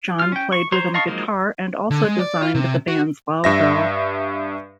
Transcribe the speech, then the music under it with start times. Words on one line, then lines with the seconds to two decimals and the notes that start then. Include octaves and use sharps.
Jon played rhythm guitar and also designed the band's logo.
0.19 F4 F6
0.32 C#4 G5
0.52 C#6
0.72 C5 C#5 A#5 C6
0.94 D#5 F5 A5 C6 C#6
1.07 F3 F#3 G#3 A#3 D#4
1.91 D3
2.04 G#3
2.19 D5
2.42 F4
2.55 C3
2.88 F#4
3.44 G2 E5 A#6